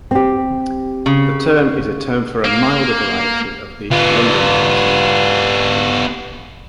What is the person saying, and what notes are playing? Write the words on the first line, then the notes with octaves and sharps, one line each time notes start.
The term is a term for a milder variety of the "London Accent".
C4 G4
C#3
A#3
B3 F4